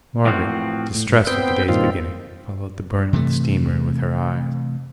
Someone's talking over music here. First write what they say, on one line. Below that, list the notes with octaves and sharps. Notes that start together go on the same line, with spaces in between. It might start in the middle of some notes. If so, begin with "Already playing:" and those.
Margaret, distressed at the day's beginning, followed the Bournemouth steamer with her eyes.
A2 E3 F3 C4 F#4
A2
G#2
B3 C4 G5
G2 A#2 D#3 C4 F4
C3 E3 A3